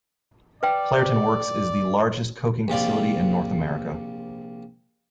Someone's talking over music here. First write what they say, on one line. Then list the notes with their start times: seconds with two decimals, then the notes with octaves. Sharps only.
Clairton Works is the largest coking facility in North America.
0.63 B4 D5 G5
2.68 A#1 C3 F4 D5